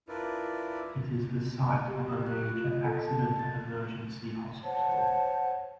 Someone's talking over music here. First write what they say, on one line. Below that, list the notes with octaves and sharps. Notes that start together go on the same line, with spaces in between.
It is the site of a major Accident and Emergency hospital.
D4 E4 F4 A#4 B4 D5
G4
G4
F#6
F4
D#5
A4
A5
A6
C5 C#5 F#5 A5